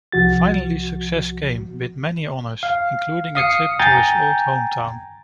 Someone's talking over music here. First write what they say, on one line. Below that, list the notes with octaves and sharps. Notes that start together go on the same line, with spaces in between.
Finally success came with many honors, including a trip to his old home town.
C2 F3 F#4 A6
F5
F5 D#6 C7 C#7
G5 G#5 A#5 G6 A6